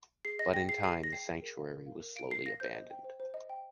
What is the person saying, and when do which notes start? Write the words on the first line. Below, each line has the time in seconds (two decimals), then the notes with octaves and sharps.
But with time, the sanctuary was slowly abandoned.
0.25 G#4 C7
0.39 D#5 A#6
0.54 G5 A#6
0.69 G#4 C7
0.83 G#4 C7
0.98 D#5
1.03 A#6
1.12 G5 C7
1.27 G#4
1.42 A#4
1.57 F5
1.71 A#4
1.86 F5
2.01 A#4
2.16 F5 D7
2.31 A#4 C7
2.46 F5 A#6
2.60 C5 G6
2.75 D#5
2.90 G5
3.04 C5
3.20 C5
3.34 D#5
3.49 G5